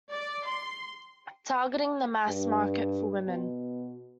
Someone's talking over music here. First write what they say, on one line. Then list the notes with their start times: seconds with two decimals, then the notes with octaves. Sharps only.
Targeting the mass market for women.
0.11 D5
0.47 C6
2.28 G2
3.26 B2